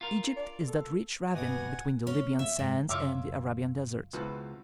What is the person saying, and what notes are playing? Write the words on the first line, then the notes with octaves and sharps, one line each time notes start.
Egypt is that rich ravine between the Libyan sands and the Arabian desert.
F4 A#4
D5
A4
G2 B2 F#5 G#5 D#6
C#4
E5
G#2
F#2 C#3 F4 C#5 E5 A#5 D6 F6
C#2 B2 E3 F3 F#4